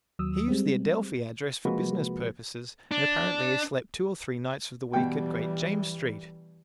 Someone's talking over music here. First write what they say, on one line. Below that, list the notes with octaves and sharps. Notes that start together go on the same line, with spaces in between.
He used the Adelphi address for business purposes and apparently he slept two or three nights of the week at Great James Street.
D#2 F#3 D#6 E6
G3 G#3 C4
C3 F3 G#3 A#3 F#4 B4
D4
B2 E3 G3 G5